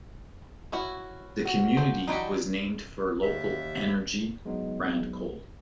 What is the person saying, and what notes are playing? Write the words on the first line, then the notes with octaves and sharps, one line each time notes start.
The community was named for local "Energy" brand coal.
C#4 E4 F#4
F#4
F3 A3 C5
E3 F#3 D4 D#4 F#4 G4
D#2 E5
F#3 G#3 B3 D4 D#4